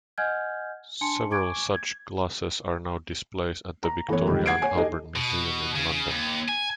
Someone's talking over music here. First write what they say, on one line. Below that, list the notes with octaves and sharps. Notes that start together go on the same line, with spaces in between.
Several such glasses are now displayed at the Victoria and Albert Museum in London.
D#5 F#5 G#5 F6 G6 G#6
D4 G#5 A5 C6 C#7
G#5 C#6 D6 G#6 D7
G#6
A#5
E3 A3 B3 C#5
C#2 D#3 G3
F#5 G#6 C7 D7
C#5 G#5
D#4 G4 A4 D#5
B2
C#3
C#3
D#2
G#5